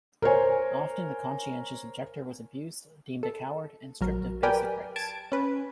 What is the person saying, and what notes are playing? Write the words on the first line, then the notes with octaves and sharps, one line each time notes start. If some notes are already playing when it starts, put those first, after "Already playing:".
Often the conscientious objector was abused, deemed a coward, and stripped of basic rights.
A#4 C5 C#5 G#5
A4
A#1 F#3 A#4
G4 A#4 B4 D5 G5 G#5
A5 G#6 D7
C#4 B4